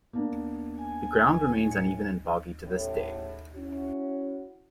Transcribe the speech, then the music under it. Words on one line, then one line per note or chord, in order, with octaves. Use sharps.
The ground remains uneven and boggy to this day.
A#3 B3 D4
G#5
A2 C#7
A1 E2 A2
C#4 E4 F#4